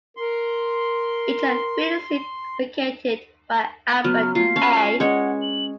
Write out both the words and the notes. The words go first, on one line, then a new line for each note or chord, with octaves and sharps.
Eicher filled a seat vacated by Alfred A.
A#4 C6
C#3 F#3 B3 B4 F6
B2 A3 A#3 F4 C7
C#4 F5 A5
G#3 C#4 B4 C#5 D5 F#5
F#7